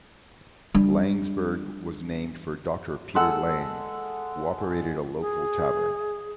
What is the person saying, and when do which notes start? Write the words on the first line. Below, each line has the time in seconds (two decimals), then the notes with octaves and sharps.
Laingsburg was named for Doctor Peter Laing, who operated a local tavern.
0.75 G3 D4
3.15 G#3 A4 F#5 E6
5.21 G#4